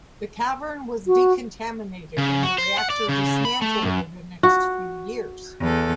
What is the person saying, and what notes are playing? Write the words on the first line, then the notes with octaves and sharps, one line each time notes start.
The cavern was decontaminated and the reactor dismantled over the next few years.
F#4
C#3
F#4
C5
F#5
D5
C#3
B5
A3
F#2
F#4
E2 A4